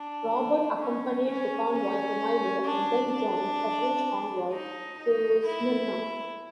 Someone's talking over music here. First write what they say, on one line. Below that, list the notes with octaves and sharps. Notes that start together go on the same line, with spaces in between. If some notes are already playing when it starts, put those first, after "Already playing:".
"Robert" accompanied the convoy to Milo and then joined a French convoy to Smyrna.
Already playing: D4
C#4
C#4
C#4
D4
D4
D#4
D#4
E4